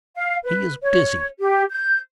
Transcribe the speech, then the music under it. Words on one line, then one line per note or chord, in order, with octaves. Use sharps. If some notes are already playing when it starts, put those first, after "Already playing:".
"He is busy."
F5
B4
C#5
G4
G6